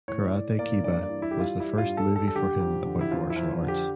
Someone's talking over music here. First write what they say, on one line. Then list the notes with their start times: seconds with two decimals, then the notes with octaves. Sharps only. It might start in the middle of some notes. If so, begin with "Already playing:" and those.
"Karate Kiba" was the first movie for him about martial arts.
0.08 A2 C#5
0.33 A2 D5
0.59 A#3 D5
0.83 G2 D5
1.03 D5
1.09 E3
1.22 E4
1.31 G3 G4
1.40 F4
1.60 G3 E4
1.78 F4
1.84 G2
1.97 A4
2.09 G3
2.16 A4
2.28 A4
2.35 D3 G4
2.60 F2
2.85 D3
3.01 E4
3.11 F2 F4
3.30 E4
3.36 F2
3.62 D3
3.68 G4